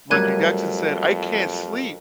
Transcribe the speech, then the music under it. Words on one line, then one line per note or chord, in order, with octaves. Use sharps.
Michael Jackson said, "I can't sleep
F2 A2 F#3 G3 A#4 F#6 G#6 D#7